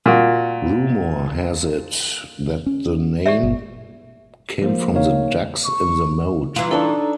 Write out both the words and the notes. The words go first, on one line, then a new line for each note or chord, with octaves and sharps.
Rumour has it that the name came from the ducks in the moat.
A#2 F#4
C#4
G4 D5 E5
G1
F3 A#3 C5
C#3 A#3 D#4 C#5 F5
C#6
E3 G3 F4 A#5
D4 D#4 A4 A#5 C#6 E6